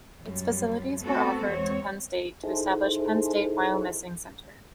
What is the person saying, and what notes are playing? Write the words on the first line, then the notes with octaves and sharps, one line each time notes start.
Its facilities were offered to Penn State to establish Penn State Wyomissing Center.
F#2 G3
A3 B3 C4 F#4 A4
E2 G#3 C4 C#5
D#4 E4 G#4 A4 C5